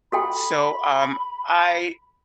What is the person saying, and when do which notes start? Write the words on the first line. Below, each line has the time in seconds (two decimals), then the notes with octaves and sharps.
So, um, I
0.12 F#4 A4 G5 B5